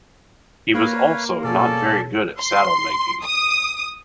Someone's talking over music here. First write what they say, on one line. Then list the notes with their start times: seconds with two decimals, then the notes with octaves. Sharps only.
He was also not very good at saddle making.
0.74 A#3 B4 C#5 F5
1.44 B2 C#4 G#4 A4 C#5 D5
2.39 C6
3.24 D#6